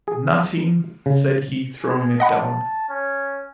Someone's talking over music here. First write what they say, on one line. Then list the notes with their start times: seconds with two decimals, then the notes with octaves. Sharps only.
"Nothing," said he, throwing it down.
0.08 G#4
1.06 C#3
1.83 G#4
2.20 D#5 F#5 A5 B5
2.89 C#4